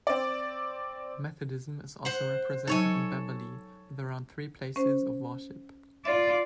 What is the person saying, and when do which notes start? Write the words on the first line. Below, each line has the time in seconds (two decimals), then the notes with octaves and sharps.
Methodism is also represented in Beverley with around three places of worship.
0.07 C4 D5
2.05 C5 F#5
2.67 F#3 D#4 A4 C#5 G#5
4.76 C#4 C5
6.05 F4 D5 E5